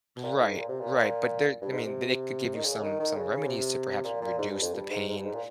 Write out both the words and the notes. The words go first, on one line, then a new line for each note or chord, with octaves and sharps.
Right, right, but there I mean, th they could give you some some remedies to perhaps reduce the pain,
A#2
G#2
A#2
C3
A#2
G2
G#2
C3
D#3
C#3
D#3
D#3
C#3
C#3
C3
C3
A#2
A#2
G#2
G2
F2
G2
G#2
G#2
G2
G#2
A#2